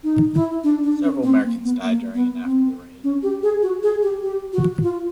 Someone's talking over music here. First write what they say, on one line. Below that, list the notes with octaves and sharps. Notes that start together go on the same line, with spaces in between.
Several Americans died during and after the raid.
D#4
E4
D4
D4
C#4
C4
A#3
B3
A#3
B3
C4
C#4
G4
G#4
F#4
G#4
G4
G4
F#4
F4